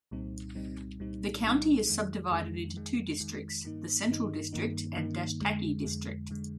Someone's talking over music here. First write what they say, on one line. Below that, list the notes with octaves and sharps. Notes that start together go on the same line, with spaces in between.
The county is subdivided into two districts: the Central District and Dashtaki District.
C2 A#2 G3 C4 D#4
C2 A#2 G3 C4 D#4
C2 A#2 G3 C4 D#4
C2 A#2 G3 C4 D#4
F2 D#3 G#3
F2 D#3 G#3
F2 D#3 G#3
F2 D#3 G#3
G2 D#3 A#3 D#4
G2 D#3 A#3 D#4
G2 D#3 A#3 D#4
G2 D#3 A#3 D#4
F2 D3 G#3
F2 D3 G#3
F2 D3 G#3